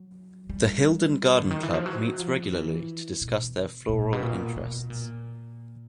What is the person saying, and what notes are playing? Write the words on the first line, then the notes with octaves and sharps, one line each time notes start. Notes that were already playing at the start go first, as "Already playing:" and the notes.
The Hilden Garden Club meets regularly to discuss their floral interests.
Already playing: F#3
G3
D3
D#3
E3
F3
F#3
F3
E3
B2
A#2
B2
A#2
B2
A#2